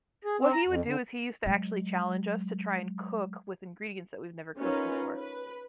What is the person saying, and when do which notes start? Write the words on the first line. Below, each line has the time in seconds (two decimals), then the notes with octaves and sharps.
What he would do is he used to actually challenge us to try and cook with ingredients that we've never cooked before.
0.25 G#4
0.40 C4
0.52 A#5
0.67 F2
0.84 D3
1.46 F#3 G#3
4.58 C#4 D#4 F4 A#4 B4
5.17 B4